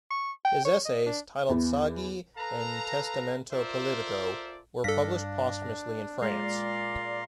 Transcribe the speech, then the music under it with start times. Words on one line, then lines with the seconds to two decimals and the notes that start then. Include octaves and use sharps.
His essays, titled Saggi and Testamento Politico, were published posthumously in France.
0.11 C#6
0.45 G5
0.65 C#5
0.85 D#5
1.06 D4
1.49 E2 B3 E4
2.37 A4 B4 F5 A#5
3.52 F4 A4 A#4 C5 D5 E5
4.84 G2 D4 A4 F5 A#6 B6
6.22 A#2 G#3 D5 F5 A#5 C6